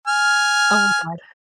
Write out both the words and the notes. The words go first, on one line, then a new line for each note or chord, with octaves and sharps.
Oh god.
G#5 F6